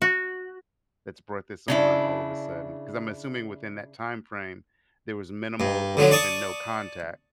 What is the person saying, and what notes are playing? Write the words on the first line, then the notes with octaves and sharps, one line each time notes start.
that's brought this on all of a sudden?" 'Cause I'm assuming within that time frame, there was minimal or even no contact.
F#4
C#3 D4 E4
G2
D3 F3 F#3
D5 A5 C#6 D#6